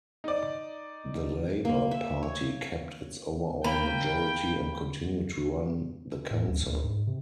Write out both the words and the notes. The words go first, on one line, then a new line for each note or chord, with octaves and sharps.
The Labour Party kept its overall majority and continued to run the council.
D#4 D5
A#3
E5
C#5
A#3 G5 B5
A2
D2
D2
G#2
C3